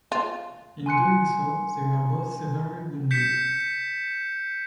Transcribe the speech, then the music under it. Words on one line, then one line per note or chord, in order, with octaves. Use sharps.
In doing so, they were both severely wounded.
F4
G#5 C6 F#6 C#7
G6 B6 C#7 E7